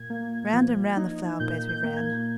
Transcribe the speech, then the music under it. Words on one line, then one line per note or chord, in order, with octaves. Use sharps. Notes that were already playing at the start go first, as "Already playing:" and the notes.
Round and round the flower-beds we ran.
Already playing: A#2 G#6
A#3
F3
D#4
A#2 G6
G6
A#3
G#6